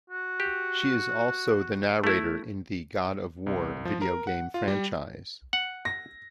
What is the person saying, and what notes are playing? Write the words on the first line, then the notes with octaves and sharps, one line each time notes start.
She is also the narrator in the "God of War" video game franchise.
F#4
G4
A3 E4
C2
F3
A#4
F#5
F4
G3
F#5
A#6